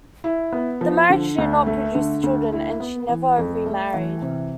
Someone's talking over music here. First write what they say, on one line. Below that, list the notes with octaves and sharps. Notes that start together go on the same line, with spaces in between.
The marriage did not produce children and she never remarried.
E4
B3
F3
D3
D2
A3
D3
D2
E4
B3
E3
F2
A3
E3
C3